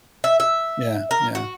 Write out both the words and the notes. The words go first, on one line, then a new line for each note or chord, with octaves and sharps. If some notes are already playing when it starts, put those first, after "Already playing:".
Yeah, yeah.
E5
E5
A#4
F#4